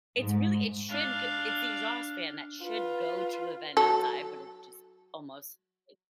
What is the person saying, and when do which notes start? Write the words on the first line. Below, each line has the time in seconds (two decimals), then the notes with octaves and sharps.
It's really it should g it's the exhaust fan that should go to a vent outside, but it's just almost it
0.18 G#2
0.89 D4 F5
2.64 F4 B4
3.77 F#3 A4